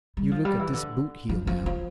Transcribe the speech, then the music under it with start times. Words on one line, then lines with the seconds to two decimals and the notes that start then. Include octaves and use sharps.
You look at this boot heel, now.
0.17 G3
0.31 F3
0.45 G3
0.59 E3
0.73 D3
1.29 F3
1.47 F3
1.66 F3